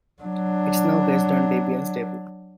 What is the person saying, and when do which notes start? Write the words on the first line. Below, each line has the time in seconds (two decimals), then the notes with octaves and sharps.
It's now based on Debian Stable.
0.22 F#3 D4